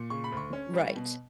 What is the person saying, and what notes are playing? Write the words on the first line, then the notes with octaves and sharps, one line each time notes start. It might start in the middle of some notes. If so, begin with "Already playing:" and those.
R right.
Already playing: A#2
C#3 C#6
B5
D2 C#6
C#4
G3
B2